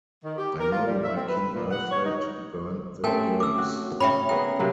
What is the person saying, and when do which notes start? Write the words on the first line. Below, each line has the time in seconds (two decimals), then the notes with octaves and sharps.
I know why King Alfred burned the cakes.
0.23 D#3
0.37 G4
0.60 A#4
0.72 F4
0.87 G3
1.04 E5
1.16 C4
1.28 B4
1.54 A#2
1.71 F#5
1.91 C#5
2.06 D#4
3.04 A3 C4 C#4 G4 A#4 G5 G#5
3.40 D6 E6
3.58 F#4
4.00 C#3 C#4 C#5 E5 G5 B5
4.29 B3 G#4 A#4 G5
4.59 C3 F#3 A#3